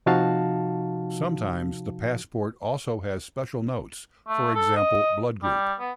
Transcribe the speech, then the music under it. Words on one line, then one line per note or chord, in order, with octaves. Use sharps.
Sometimes the passport also had special notes, for example blood group.
C3 F3 D#4 F#4 F5 A5
A3
A4
D#5
G3
B3